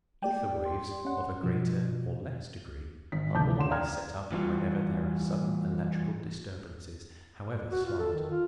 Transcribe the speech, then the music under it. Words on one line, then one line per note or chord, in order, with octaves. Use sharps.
Ether-waves of a greater or less degree are always set up whenever there are sudden electrical disturbances, however slight.
G4 D5 G5
C6
C#4 F#5
B2 F3
G#1 B6
F1 D2 A5 D6 G6
D3 C#4 F#5 C6 E7
D5 F5 G5 A#5 F6 G#6
E3 G3 F4 F#4
F#4
F4
A4
D#3
F4